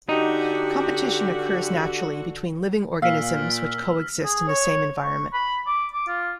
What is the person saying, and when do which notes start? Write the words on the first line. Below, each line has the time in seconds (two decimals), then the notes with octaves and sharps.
Competition occurs naturally between living organisms which co-exist in the same environment.
0.09 D3 D#4 F#4 G4
3.02 A#2 F5 E6 F6 B6
4.24 G#4
4.48 C#5
5.03 C#6
5.33 B5
5.66 D6
5.93 D6
6.08 F4